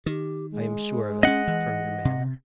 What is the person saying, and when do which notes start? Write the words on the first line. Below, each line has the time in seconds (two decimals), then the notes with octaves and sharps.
I am sure of it, from your manner.
0.06 D#3 G4
0.51 G#3
1.23 C4 C#4 D#5 F#5
1.48 E3
2.05 C3